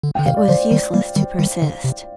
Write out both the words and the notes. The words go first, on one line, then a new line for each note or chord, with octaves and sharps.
It was useless to persist.
D3
D3 G5
C3 D#3 F5
D5
D3 F3 C5
D#3 G3
G3 A#3
D#3 G3
D#3 G3
D3
C3